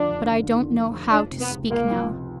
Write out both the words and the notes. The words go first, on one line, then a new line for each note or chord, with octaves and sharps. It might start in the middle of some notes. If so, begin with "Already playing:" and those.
But I don't know how to speak now.
Already playing: F1 D#2 D3 F3 D4
F1
D3
D#2
F3
F1
F3 D4
C3
B3
C#2
C#2 A#3
F3
C3